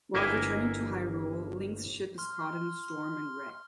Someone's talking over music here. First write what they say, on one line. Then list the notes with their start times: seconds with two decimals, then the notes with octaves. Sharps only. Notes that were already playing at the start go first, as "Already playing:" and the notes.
While returning to Hyrule, Link's ship is caught in a storm and wrecked.
0.14 G1 A#3 E4 D#5 E5 G#5
2.18 C6 F6